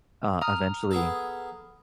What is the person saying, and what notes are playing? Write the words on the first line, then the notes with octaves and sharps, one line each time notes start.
uh, eventually,
A#5 D#6 F6
B3 G#4 A4